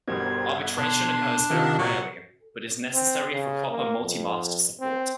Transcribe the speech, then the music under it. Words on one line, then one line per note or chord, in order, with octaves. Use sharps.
Arbitration occurs very rarely, but is necessary for proper multi-master support.
G1 B2 G4 A#4 C5 G#6
E5 F#5
B2 D3 D4 C6
C3 D#3 F4 D#5 F#5
A#2 F#3 C#6
C4
C#3
A#3
F2
C4